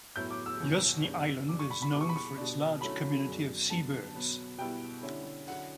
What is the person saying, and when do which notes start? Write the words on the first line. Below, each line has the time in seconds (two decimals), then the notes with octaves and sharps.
Yuzhny island is known for its large community of sea birds.
0.16 A2 F#3 B3 E4 G6
0.31 D6
0.46 E6
0.60 E2 B2 F#3
1.04 F#2 C#3 G3 B3 D4
1.49 F#2 C#3 G3 D4 D6
1.59 C#6
1.70 B5
1.82 B5
1.92 B2 G3 B3 E4 D6
2.01 C#6
2.09 B5
2.16 C#6
2.38 B2 G3 D4
2.81 D3 F#3 A3 C#4 E4 B5
3.26 F#2 C#3 F#3 B3 D4
3.70 F#2 D3 F#3 B3 A5
4.15 B2 F#3 B3
4.58 B2 G3 B3 E4 G5
5.03 D3 G3 C#4 E4
5.48 D3 F#3 C#4 E4 F#5